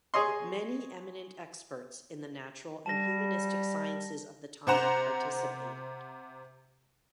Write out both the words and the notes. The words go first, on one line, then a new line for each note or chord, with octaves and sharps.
Many eminent experts in the natural and humanistic sciences of the time participated.
G#4 C#5 D#5 C6
G3 A5 A#6
C3 C5 F#5 A#5 E7